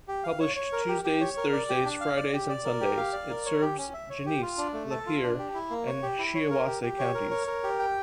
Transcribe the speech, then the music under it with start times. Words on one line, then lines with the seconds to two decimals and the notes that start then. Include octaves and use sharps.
Published Tuesdays, Thursdays, Fridays and Sundays, it serves Genesee, Lapeer and Shiawassee Counties.
0.08 G4
0.24 F5
0.40 C#5
0.56 C#5
0.73 A#4
0.88 G4
1.04 G4
1.21 C#5
1.37 A#4
1.53 D5
1.69 G4
1.85 D4
2.01 F5
2.16 D5
2.33 G4
2.49 D5
2.65 A#4
2.81 G4
2.97 F5
3.13 D5
3.30 A#4
3.46 C#5
3.61 G4
3.78 C#4
3.94 E5
4.10 C#5
4.26 G4
4.42 F4
4.58 D4
4.73 A3
4.90 A4
5.07 F4
5.23 D4
5.39 G4
5.54 E4
5.70 A#3
5.87 C#5
6.03 G4
6.19 E4
6.35 C#5
6.51 A#4
6.67 G4
6.83 G4
6.99 C#5
7.14 A#4
7.31 C#5
7.47 A#4
7.63 G4
7.79 G5